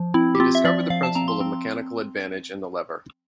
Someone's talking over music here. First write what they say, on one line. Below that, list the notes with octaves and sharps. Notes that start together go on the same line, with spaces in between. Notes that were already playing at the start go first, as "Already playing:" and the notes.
He discovered the principle of mechanical advantage in the lever.
Already playing: F3
C4 E4
G4
C4 F4
E5
F3 D5
F3 F5
A5
C4 A#5
C6
C4